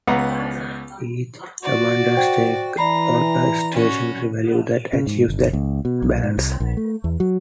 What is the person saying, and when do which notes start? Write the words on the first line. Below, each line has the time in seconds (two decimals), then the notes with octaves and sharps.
Each abundance takes on a stationary value that achieves that balance.
0.07 C#2 B3 F#5 A#5
1.63 F#4 D5
2.17 C5 G5
2.77 E3 D5 A#5 B5 C7
3.72 C#4 F#4
4.93 C#3
5.07 G#2
5.28 G1
5.53 C#2
5.85 B2
6.02 B1
6.23 G#2
6.37 C2
6.60 A#1
6.77 A3
7.04 E2
7.20 F#3